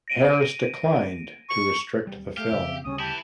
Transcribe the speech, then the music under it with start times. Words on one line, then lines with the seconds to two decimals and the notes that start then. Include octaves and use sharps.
Harris declined to restrict the film.
0.08 A#6 D7 D#7
1.50 C#6
2.07 D1 G3
2.37 A3 G4 F5
2.51 F2 C#3 E5 F5
2.85 D2 C#3 G3 C#4 D#6
2.99 E3 E4 G4 A5